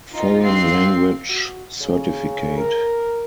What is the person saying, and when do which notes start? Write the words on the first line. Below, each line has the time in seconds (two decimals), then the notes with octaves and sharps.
Foreign Language Certificate.
0.12 D#4 F4
0.44 C4 F5 C7
1.30 F#4
1.81 C#3
2.58 A#4